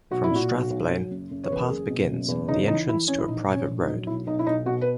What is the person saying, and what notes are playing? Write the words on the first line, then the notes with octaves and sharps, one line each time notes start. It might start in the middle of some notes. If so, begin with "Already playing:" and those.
From Strathblane, the path begins at the entrance to a private road.
B1 F#4
E4
A#2 F#4
B1
B1
F#3
F#1
F#1
C#5
E2 B4
A#4
F#1 G#4
B2
F#1
E2
C#3 D#4
E3 D#4
E3 E4
E3 C#4
E4
A#1 D#4
A#1
C#4
A#1
D#4
F#3
B1 E4
B1 D#4
E4
B1 D#4
B2 F#4
B4